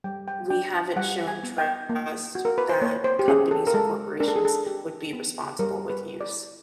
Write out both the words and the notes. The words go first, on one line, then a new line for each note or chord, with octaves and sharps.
we haven't shown trust that companies and corporations would be responsible with use.
G3 G5
G5
D4 G5
G3 F#5
G#5
B3
G5
A#3
F#4
A#4
B4
C5
A#3 C#5
C5
G4
C#4 G#4
A4
A#4
G#3 A4
D4 A#4
A4
G#4
A4
G4
B3
G3 A#4
B4
E4
D5